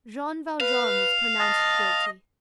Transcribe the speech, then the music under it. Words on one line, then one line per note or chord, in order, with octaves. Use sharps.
Jean Valjean was pronounced guilty.
B4 F5
D#5 A5